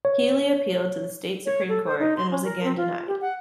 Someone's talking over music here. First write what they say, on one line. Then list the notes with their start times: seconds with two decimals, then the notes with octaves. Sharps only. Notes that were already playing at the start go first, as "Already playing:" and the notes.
Healy appealed to the State Supreme Court and was again denied.
0.05 C#5
1.46 C#5
1.69 A4
1.86 C5
1.99 D#4
2.17 C6
2.31 C#4
2.45 A#4
2.64 C4
2.77 F4
3.07 G4
3.21 F#5